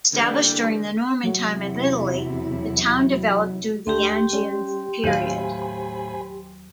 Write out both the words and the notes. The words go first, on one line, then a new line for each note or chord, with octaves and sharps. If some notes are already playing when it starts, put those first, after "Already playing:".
Established during the Norman time in Italy, the town developed during the Angevin period.
D3 E3 G3 A#3
E2 C3 F#3 E4
D2 D3 A3 G4 G5 C6
G3 C#4
D#2 A2 F#3 C5 F5 G#5 B5